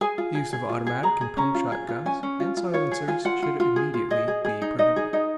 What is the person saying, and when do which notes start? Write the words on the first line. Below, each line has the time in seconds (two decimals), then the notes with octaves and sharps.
The use of automatic and pump shotguns, and silencers, should immediately be prohibited.
0.01 G#4 G#5
0.18 F4
0.35 G#4
0.53 G#4
0.69 F4
0.87 G#4
1.03 G#4 A#5
1.21 G#4
1.37 C#4 A#5
1.54 F4
1.72 G#4
1.89 F4
2.06 C#4 G#5
2.23 C#4
2.40 F4
2.57 F4
2.74 F4 C#5
2.91 G#4
3.08 F4 G#5
3.25 F4 F#5
3.42 F4
3.60 F4
3.76 G#4
3.94 F4
4.10 G#4 D#5
4.28 G#4
4.45 G#4
4.62 D#4
4.79 D#4 D#5
4.96 G#4
5.13 D#4 D#5